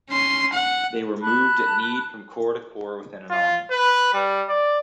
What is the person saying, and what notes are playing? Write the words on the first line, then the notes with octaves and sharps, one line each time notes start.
They were moved at need from corps to corps within an army.
C#4 C6
F#5
A5 B5 F#6
F4
B4
G3
D5